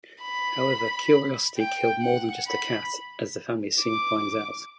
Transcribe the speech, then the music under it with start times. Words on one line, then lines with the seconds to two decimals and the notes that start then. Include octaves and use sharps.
However curiosity killed more than just a cat, as the family soon finds out.
0.22 B5
1.57 G5
2.01 F#5
2.47 B5
3.81 D6